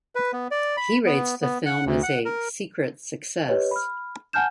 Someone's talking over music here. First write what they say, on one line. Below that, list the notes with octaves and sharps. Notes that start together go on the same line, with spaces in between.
He rates the film as a "secret success".
B4
B3
D5
B5
B3
B3
F#5
D2
F#5
A#4
G4 B4 C#5 D#5
B5 F6
F#5 G#5 A5 F6 G6 E7